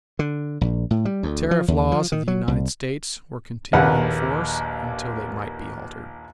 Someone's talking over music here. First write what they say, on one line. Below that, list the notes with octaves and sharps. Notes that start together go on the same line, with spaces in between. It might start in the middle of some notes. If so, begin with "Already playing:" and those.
The tariff laws of the United States were continued in force until they might be altered.
D3
A#1
A2
G3
D2
F3
D#2
F3
D#3
F#3
C2
A#1 D#2 B4 F#5